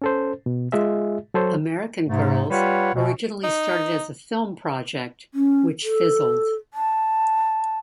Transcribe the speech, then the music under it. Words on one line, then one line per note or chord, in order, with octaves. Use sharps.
American Girls originally started as a film project, which fizzled.
C#4 A4 C5
B2
G#3 F4 G#4 D#5 E5
F#3 A4 C5 C#5
G#2 C3 A3
G3 F4 G4 B4 C#5 F#5
D2 B2
D#4
C#4
A4
A5